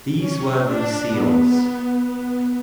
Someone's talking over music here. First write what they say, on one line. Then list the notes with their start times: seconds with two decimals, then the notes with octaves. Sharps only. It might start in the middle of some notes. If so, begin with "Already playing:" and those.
These were the seals.
0.21 C#4
0.67 D4
1.13 B3
2.05 B3